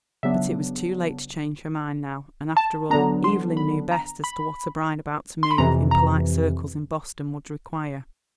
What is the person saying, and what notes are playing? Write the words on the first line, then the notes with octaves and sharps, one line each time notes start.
But it was too late to change her mind now; and, after all, Evelyn knew best as to what a bride about to move in polite circles in Boston would require.
C#3 F#3 B3 D4 E5
A5
D3 F#3 B3 D4 A#5
C6
B5
A#5
B5
C6
B5
F2 C3 E3 A#5
A#5